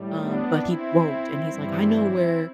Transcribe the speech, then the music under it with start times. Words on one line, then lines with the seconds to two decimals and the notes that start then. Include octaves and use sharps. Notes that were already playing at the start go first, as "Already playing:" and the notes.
um, but he won't and he's, like, "I know where
Already playing: A2 G3
0.19 B3 D4
0.61 C4 E4
1.47 G2 E3 G3